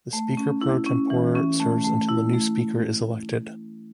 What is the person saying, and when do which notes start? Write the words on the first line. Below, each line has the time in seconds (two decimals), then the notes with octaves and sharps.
The Speaker Pro Tempore serves until a new Speaker is elected.
0.13 A3
0.37 C#4
0.61 E4
0.86 C#4
1.10 E3
1.35 C#4
1.60 A3
1.84 A3
2.09 E4
2.34 A3